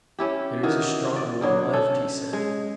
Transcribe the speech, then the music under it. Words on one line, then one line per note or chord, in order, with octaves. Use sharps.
"There is a stronger one left!" he said.
C#4 E4 G4
D#3 E3 F#4
D5
B2 D3 F#3
C#4 A4
G#3